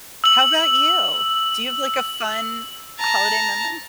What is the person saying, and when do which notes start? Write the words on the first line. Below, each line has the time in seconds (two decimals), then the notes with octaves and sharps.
How about you? Do you have like a fun holiday memory?
0.24 E6 F#7
2.99 A5 A#5